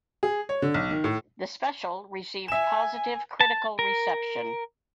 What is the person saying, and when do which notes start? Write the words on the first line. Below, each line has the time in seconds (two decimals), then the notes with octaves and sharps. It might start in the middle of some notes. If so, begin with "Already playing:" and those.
The special received positive critical reception.
0.23 G#4
0.49 C#5
0.62 D3
0.74 B1
0.91 D#3
1.04 A2
2.48 E5 G#5 E7
3.41 A5
3.79 A#4